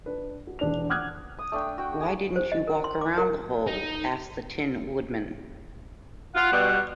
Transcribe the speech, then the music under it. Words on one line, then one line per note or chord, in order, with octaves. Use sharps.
Why didn't you walk around the hole? asked the Tin Woodman.
D4 B4
F#4
E1 D4 F7
F#5 D6 D#6 F6 F#6 G#6
D#6
A3 D4 G5
F#4 G5
G#4
C5
D#5
A#4
C6
D6
A#4
D#4
F4 F#5
B2 G3